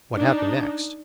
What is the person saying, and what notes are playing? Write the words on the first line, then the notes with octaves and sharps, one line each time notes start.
"What happened next?"
D4 D#4